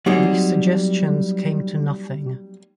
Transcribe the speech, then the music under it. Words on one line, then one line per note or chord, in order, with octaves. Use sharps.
These suggestions came to nothing.
F#3 G3 A#3 C4 D#4 G#4